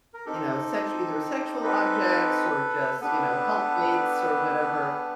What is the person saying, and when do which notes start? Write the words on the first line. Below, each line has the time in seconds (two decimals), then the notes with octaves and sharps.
you know, sexu either sexual objects, or just, you know, helpmates, or whatever,
0.14 A#4
0.26 C4 D#4 G4 A4
1.63 A4 B4
3.01 B3 D4 G4 A4 B4
4.81 G#4
4.94 A4